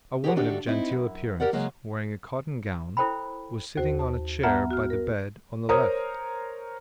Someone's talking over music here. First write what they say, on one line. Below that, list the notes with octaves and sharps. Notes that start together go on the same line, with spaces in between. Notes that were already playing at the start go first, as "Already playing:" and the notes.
A woman of genteel appearance, wearing a cotton gown, was sitting on a chair by the bed on the left.
G4 G#4 A#4 C#5 E5 F#5
D2 D#3 D4 F#4 G4 A4
C4 D#4 E4
F#2
G4 A#4 D5 F#5
C#3 F#3 G#3 A#3
E4 A4 C5 G5 B5
D#2 F#4 C5
A5
B3 E5 F#5 A5 A#5 F6
F#4 F6
A#4
A#4 C5 C#5 A#5 D#6